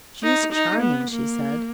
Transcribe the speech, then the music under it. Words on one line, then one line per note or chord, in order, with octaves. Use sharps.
"She's charming!" she said.
D#4
D#4
B3
A#3